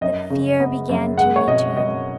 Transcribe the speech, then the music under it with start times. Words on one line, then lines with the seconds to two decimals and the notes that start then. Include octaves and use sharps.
The fear began to return.
0.01 F#2 D#5
0.30 C#3
0.60 B3
0.89 F#2
1.17 G#3 F#5
1.36 C#5
1.48 B2 D#5
1.76 B2 D#5